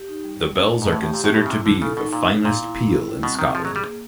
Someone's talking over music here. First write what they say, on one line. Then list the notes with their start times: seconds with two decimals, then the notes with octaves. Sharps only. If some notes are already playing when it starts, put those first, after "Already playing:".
The bells are considered to be "the finest peal in Scotland".
Already playing: G4
0.08 D#4
0.24 G3
0.40 G3
0.55 A#3
0.72 A3
0.82 G#2
0.88 A2 A3
1.03 A2 G4
1.14 A#2
1.19 A2 G4
1.34 A2 B3
1.46 C#3
1.50 C3 E4
1.66 D3 E4
1.81 C#3 A4
1.97 B2 D#4
2.13 A#2 D#4
2.29 D#4
2.44 A#2 B3
2.60 E4
2.75 B3
2.92 E4
3.08 G3
3.23 B2 C4
3.38 D#3 C4
3.54 F3 G#4
3.65 F#3
3.70 G#4
3.76 G3
3.85 A#3